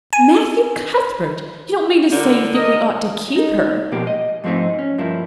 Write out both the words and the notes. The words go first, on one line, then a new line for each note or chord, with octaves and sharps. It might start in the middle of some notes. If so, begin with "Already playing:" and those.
"Matthew Cuthbert, you don't mean to say you think we ought to keep her!"
G#5
D3 E4 A#4
A#4 D#5
D#4
B2 F3 G#3 A#3 G4
D#5
G#2 F3 G#3 A3 C4 D#4
C#4
G2 F3 A#3 E4